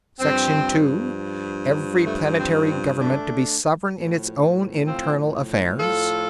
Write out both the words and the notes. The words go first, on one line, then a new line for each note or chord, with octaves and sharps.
Section Two: Every planetary government to be sovereign in its own internal affairs....
G2 F3 C4
A3
C4
C4
A3 D4
A2 F3
C4 F4
F4 A4